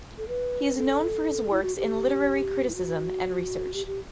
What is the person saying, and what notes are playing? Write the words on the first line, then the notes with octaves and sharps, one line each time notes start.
He is known for his works in literary criticism and research.
A4
B4
A4
E4
F#4
G4
E4
F#4
G4
G4